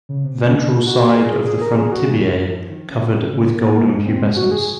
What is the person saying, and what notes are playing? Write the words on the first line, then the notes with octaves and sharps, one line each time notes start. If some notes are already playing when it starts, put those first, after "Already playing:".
Ventral side of the front tibiae covered with golden pubescence.
C#3
C3
C#3
F#4
G#4
G#4
A#4
G#4
F#4
G#3
F#3
F3
D#3
C#3
C3
C#3
A#3
A#3
G#3
C4
G#3
F#4
G#4